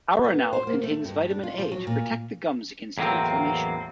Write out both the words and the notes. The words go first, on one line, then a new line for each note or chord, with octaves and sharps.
Aronal contains vitamin A to protect the gums against inflammation.
B3
C5
A#3
A3
G2
D4
F4
F3
F#3
A#2
E2 A2 F#3 A#3 C4